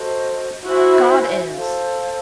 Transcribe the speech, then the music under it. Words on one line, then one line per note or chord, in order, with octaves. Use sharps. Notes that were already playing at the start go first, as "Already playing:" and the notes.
God is.
Already playing: F#4 A4 C5 D#5
E4 F#4 C5 E5 G#5
A4 C5 F5